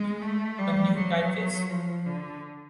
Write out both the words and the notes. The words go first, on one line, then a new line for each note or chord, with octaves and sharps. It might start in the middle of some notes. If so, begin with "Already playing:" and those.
A New Typeface?
Already playing: G#3
A3
G3
F#3
F3
D3